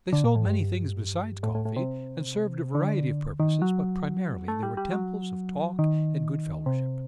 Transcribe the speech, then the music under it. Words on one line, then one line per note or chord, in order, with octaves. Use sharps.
They sold many things besides coffee, and served a variety of purposes, but primarily they were temples of talk and good-fellowship.
D3
A#2
A2
G2
A2
A2
A2
C3
D3
D#3
F#3
A3
G3
G3
F#3
D#3
C3